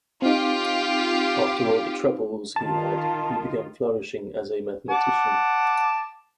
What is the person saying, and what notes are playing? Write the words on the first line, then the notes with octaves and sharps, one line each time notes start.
After all the troubles he had, he began flourishing as a mathematician.
C4 D#4 F4 G4
D#3 F4 A5
F#5 A5 D6